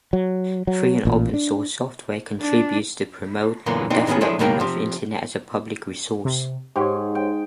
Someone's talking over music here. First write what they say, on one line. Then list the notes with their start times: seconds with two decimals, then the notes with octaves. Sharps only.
Free and open source software contributes to promote the development of internet as a public resource.
0.13 F#3
0.67 F#3
1.05 A1 A#2
1.34 D4
2.40 D4
3.66 F#2 A#2 D3 E3 A#3 B3
3.90 F2 E3 C4 D4 D#4
4.07 A2 D#3 B3 C#4 G#4
4.21 F3 F#3 D4 E4 G#4 A4
4.39 C#2 B2 D#3 A#3 F#4 G4
4.60 C3 F3
6.25 C3
6.76 G#2 G4 C#5
7.15 G5